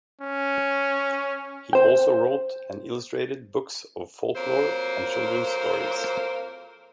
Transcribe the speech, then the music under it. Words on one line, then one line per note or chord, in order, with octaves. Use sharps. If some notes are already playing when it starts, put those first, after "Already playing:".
He also wrote and illustrated books of folklore and children's stories.
C#4
C5 G5
F2 F#3 A#3 C5